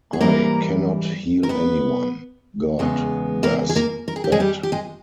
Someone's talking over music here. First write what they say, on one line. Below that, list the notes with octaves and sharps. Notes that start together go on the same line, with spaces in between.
I cannot heal anyone - God does that.
G#4
G#2 E3 G3 A#3 A#4
A#4
B3 B4
E2 C#3 G#3 B3
A#3 A#4
G#4
A#3 A#4
A#4
G#4
G4
G#3 G#4
G3 G4
G4
G#3 G#4